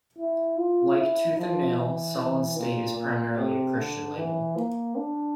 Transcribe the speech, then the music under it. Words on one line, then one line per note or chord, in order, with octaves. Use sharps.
Like Tooth and Nail, Solid State is primarily a Christian label.
E4
F4
E4
F3
E3
E3
A#2
A#2
C3
D3
E3
A#3
D4